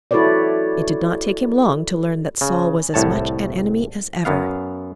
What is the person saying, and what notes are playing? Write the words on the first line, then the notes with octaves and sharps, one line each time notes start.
It did not take him long to learn that Saul was as much an enemy as ever.
E4 F#4 A4 B4 C#5 D5
C#3
C2 A2 C#5 A5
F#2 B3 F5